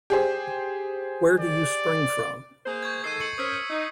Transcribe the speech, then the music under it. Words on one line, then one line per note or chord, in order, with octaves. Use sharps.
Where do you spring from?
G4 G#4 C5
D5
A#3 G#4 C5
C#6 G6 G#6
D#3 G#3 A4 C7 D#7
C#6 C#7 F#7
C#4 A#4 C5 D#6 E6 B6
D#4